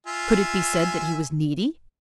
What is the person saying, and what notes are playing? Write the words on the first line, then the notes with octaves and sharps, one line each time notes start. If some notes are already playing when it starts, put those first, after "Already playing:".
Could it be said that he was needy?
F4 E5 G#5